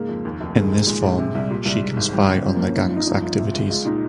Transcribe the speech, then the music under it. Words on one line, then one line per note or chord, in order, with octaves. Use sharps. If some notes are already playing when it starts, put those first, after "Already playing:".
In this form, she can spy on the Gang's activities.
Already playing: G#2 C#3 A#3
F2
D#2
F1
D#3 G#3
G#2
A#2 G#3
A#1
C3
C2
A#2 G3
C2
G#2
G#1
F3 G3
G2 C#3
F3 G3
A#3
G2 C#4
G2 D#4
F4
G1 D#4
F2 D#4
G1 F4
C3
F4
C#2
G#3 F4
A#2 D#4